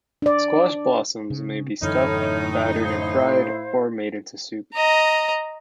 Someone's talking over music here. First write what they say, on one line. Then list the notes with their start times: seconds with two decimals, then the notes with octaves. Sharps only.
Squash blossoms may be stuffed, battered and fried, or made into soup.
0.22 D4 D5
1.30 C#3
1.82 F#2 A2 D3 E3 D#4 C#5 B5 F6
2.84 E4 C5 F5
4.73 D#5 A#5